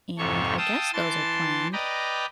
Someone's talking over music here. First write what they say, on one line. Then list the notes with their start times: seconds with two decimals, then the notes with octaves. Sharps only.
And I guess those are planned,
0.18 F2 G#2 C3 A4 C#5 C#6
0.58 F5 G5 A5 D#6 E6
0.93 E3 A5 C6 A6
1.73 B4 D5 D#5 G5 A#5 B5